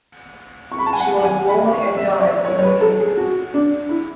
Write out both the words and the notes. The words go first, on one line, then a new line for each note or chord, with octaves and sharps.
She was born and died in Munich.
C#6
B5
A5
G#5
F#5
F#5
G#5
B5
C#6
E5
D5
C#5
C#5
B4
A4
G#4
F#4
D4
E4